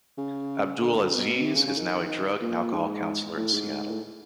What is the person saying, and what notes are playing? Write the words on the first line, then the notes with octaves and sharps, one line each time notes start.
Abdul-Aziz is now a drug and alcohol counselor in Seattle.
C#3
D3
B2
C3
C#3
C#3
D#3
A#2
G#2
A2
G#2
A2